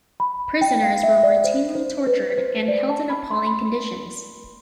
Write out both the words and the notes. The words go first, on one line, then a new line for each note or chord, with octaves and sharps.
Prisoners were routinely tortured and held in appalling conditions.
B5
G5
F5
E5
D5
C5
C5
B4
C5
D5
A5
B5
C6
B5